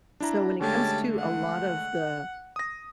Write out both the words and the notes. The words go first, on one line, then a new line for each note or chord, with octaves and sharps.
So when it comes to a lot of the,
D4 E4 A#5
D3 G#3 A3 C#4 G4 A5
F#5
D#6 A#6